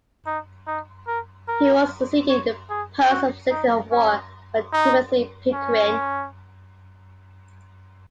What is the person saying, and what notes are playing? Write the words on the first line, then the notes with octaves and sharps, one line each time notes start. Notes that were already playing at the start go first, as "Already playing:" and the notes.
He was succeeded in the post of Secretary of War by Timothy Pickering.
D#4
D#4
A#4
A#4
C#5
G#4
F#4
D#4
C#4
D#4
C#4